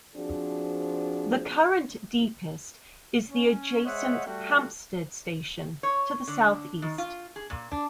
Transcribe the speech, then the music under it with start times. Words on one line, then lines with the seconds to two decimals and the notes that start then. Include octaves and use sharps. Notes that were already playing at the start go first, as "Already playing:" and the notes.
The current deepest is the adjacent Hampstead station to the south-east.
0.16 F3 C4 D4 F#4 G#4
3.29 C#4
3.85 G#3 C5 C#5 D#5 E5 F#5
4.26 G3 A3 F#4
5.83 C#5
6.28 D3
6.82 D#3
6.98 F4
7.36 G#4
7.50 A#2
7.72 D4